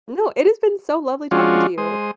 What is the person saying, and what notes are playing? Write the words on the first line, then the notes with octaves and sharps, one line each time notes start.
No. It has been so lovely talking to you.
F3 G#3 C#4 D4 F4 F#4
G#3 C5 D#6